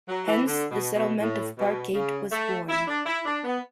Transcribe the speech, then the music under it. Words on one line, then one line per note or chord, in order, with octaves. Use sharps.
Hence the settlement of Parkgate was born.
F#3
E3
D3
B2
B2
A2
B2
C#3
A3
E4
D4
E4
D4
B3